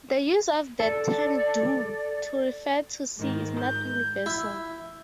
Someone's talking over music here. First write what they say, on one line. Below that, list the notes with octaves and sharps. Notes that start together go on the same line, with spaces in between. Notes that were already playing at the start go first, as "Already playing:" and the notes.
The use of the term "Do" to refer to C is not universal.
A4 D5
G#2 D#3
G6
E4